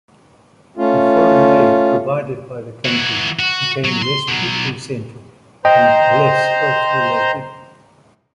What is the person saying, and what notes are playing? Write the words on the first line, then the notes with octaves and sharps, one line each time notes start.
The foreign aid provided by the country became less "people-centered" and less health-related.
A3 C#4 F4
E3 F#4
F#4
F#3
C6
B2 F#3
C5 D#5 G5 A#5 C6